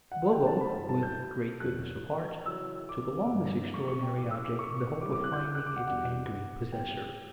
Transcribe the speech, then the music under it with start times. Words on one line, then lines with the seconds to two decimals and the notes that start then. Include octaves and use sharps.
Bobo, with great goodness of heart, took along this extraordinary object, in the hope of finding its angry possessor.
0.12 F#5
0.33 G5
0.47 A5
0.61 B5
0.74 G2 F#3 A3 E4 A5
0.89 A5
1.03 G6
1.60 E2 B2 F#3 F#6
2.46 C#3 F#3 C#4 E4 E6
2.89 D6
3.31 G2 F#3 A3
3.74 C#6
3.88 C#6
4.02 G5
4.17 A2 F#3 C#4 E4 D6
4.31 E6
4.45 D6
4.59 C#6
5.02 C#3 G3 C#4 E4 D6
5.12 D6
5.24 F#6
5.33 G6
5.45 F#6
5.55 F#6
5.67 D6
5.76 F#5
5.87 E2 B2 G3 D4 F#5
6.72 C#3 G3 B3 G5